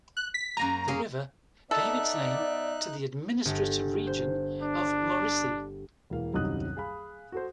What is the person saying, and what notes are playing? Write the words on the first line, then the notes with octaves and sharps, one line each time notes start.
The river gave its name to the administrative region of Mauricie.
F#6
B6
F#2 A#3 G#5 A#5
A#3 C#4 G#4
B3 D#4 A4 D5 E5 F#6
G1
C5
D4
E1 E3 A#3 F5
D#1 C2 F#2 D#4 D#6 F#6
G#4 F5 B5
F#4 A4 C5